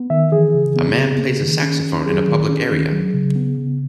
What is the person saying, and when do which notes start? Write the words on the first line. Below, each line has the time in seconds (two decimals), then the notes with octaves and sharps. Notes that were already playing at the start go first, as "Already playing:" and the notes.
A man plays a saxophone in a public area.
Already playing: B3
0.10 D#3 E5
0.32 E3 G#4
0.54 C#3
0.76 B3
0.97 C#3
1.18 A#3
1.41 D#3
1.62 C#4
1.85 D#3
2.06 F#3 G#4
2.27 D#3
2.49 C#4
2.71 D#3
2.93 F#3
3.14 C#3
3.36 B3
3.58 C#3